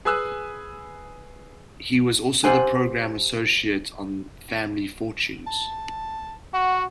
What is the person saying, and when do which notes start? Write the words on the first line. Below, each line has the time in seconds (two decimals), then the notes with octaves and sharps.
He was also the Programme Associate on "Family Fortunes".
0.05 G#4 B4 G#5 D#6 E6 F#6
2.44 G4 C5 F#5 G#5
5.47 A5
6.54 F#4 F#5